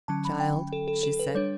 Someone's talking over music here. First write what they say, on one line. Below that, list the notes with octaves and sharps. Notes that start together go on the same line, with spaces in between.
"Child," she said.
D3 F#3 C#4 A5
B5
G5
A4
A4
A4
B4
G3 D4 C#5